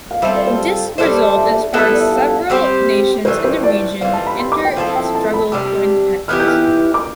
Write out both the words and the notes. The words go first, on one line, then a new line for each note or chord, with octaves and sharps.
This result inspired several nations in the region in their struggle for independence.
F5
G3 C4 F4 A4 E5
D5
C5
G3 D4 A4 C5 D5
E5
D5
E5
G3 B3 E4 A4
D5
E5
F5
F5
G3 C4 G4 C5
A2 E3 G3 C5
C5
D5
E3 G3 C4 F5
A5
B5
C6
D6
G5
F3 C4 E4 A4 F5
G5
A5
B5
C3 G3 D4 G4 E6
E3 B3 E4 G4 F6
G6
F6
D6